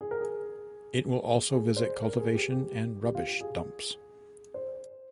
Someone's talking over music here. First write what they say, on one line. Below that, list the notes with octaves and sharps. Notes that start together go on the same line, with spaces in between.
It will also visit cultivation and rubbish dumps.
G#4
A#4
G#4
G#4
C5
A#4
G#4
G4
G4
G4
F4
G4
G#4
C5